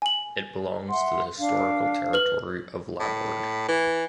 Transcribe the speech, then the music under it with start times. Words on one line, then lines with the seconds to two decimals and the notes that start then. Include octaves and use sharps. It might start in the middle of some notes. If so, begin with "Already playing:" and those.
It belongs to the historical territory of Labourd.
0.02 G#5 F#7
0.90 E5 F#5 C6
1.37 D4 F5
2.13 B4 F6 F#7
3.00 A2
3.68 E3